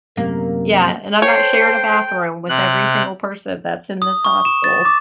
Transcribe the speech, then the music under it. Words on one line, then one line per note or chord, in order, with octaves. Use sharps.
Yeah, "And I'm not sharing a bathroom with every single person that's in this hostel."
F#2 C3 A#3 A#4
A4 C5 C#5 G5 C7
C3 F#6
D#6
C#6
E7
A6
D6